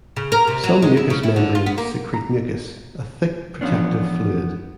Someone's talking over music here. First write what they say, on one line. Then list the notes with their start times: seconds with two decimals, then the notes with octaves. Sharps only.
Some mucous membranes secrete mucus, a thick protective fluid.
0.16 C#3
0.32 A#4
0.47 C3
0.64 F#3
0.82 G#3
0.97 E4
1.10 C#3
1.23 E4
1.36 D3
1.55 F4
1.66 B3
1.78 A#3
2.14 A#5
3.61 E3 F3 A3 B3 C#4 D4